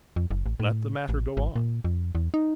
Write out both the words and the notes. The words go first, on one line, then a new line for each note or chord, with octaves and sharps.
Let the matter go on.
F2
F#1
A1
A2
A1
G#1
A#2
F2
E2
D#4